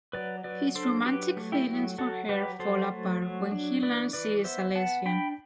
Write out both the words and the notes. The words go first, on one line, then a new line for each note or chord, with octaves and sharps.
His romantic feelings for her fall apart when he learns she is a lesbian.
F#3 B4 D5
F#3 B4 D5
D4 A4 C5
F#3 G4 B4
A3
E4 G4
F#3
F#3 F#4 A4
F#3 G4 B4
F#3 A4 C5
A3
F#3
D4
E3 B4 D5
E3 B4 D5
B3 C5 E5
B3 F#5 A5
D4 G5 B5